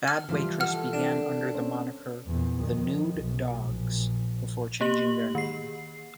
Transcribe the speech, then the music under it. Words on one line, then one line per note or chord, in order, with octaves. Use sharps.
Bad Waitress began under the moniker "The Nude Dogs" before changing their name.
F6
C3 E3 F3 G3 C5 F5
D3 A#3 A4 F#5 F6
D4
C4 C#4
E2 A#2
F2 D#3
B1
A#1
A#3 G4 F#7
D#3 C7